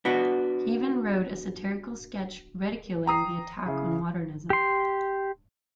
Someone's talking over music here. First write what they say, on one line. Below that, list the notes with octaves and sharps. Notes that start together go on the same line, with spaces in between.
He even wrote a satirical sketch ridiculing the attack on modernism.
B3 D4 F#4
G5 A#5 D#6 C7
C#3 E4
G4 C6